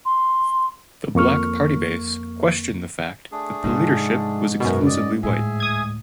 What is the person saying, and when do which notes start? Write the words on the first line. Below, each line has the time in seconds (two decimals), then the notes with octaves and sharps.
The black party base questioned the fact that the leadership was exclusively white.
0.05 C6
1.15 F2 A#3 C#6 F6
3.32 A3 D4 G#4
3.64 G#2 C3 F3
4.60 F#2 B2 A#4 C#6
4.86 D5 D#5
5.23 D2 A2 G#4 E5 G#5
5.60 D#6 G#6